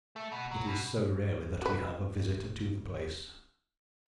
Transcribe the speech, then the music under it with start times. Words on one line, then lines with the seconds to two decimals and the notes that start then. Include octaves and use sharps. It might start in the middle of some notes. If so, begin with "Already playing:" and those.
"It is so rarely that we have a visitor to the place."
0.16 A3
0.32 B2
0.51 F#3
0.66 B2
1.62 F#4 B4